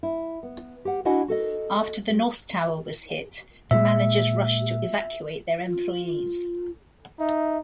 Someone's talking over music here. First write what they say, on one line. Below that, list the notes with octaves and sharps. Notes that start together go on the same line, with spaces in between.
After the North Tower was hit, the managers rushed to evacuate their employees.
E4
B3
G4 F#5
D4 E4 F#4 D#5 F#5 G#5
F#4 A4 D#5
G3
A#2 G#3 E5
F4
D#4 E5